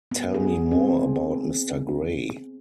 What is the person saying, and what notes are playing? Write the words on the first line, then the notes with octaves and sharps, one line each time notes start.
Tell me more about Mr. Gray.
B3
G#4
C4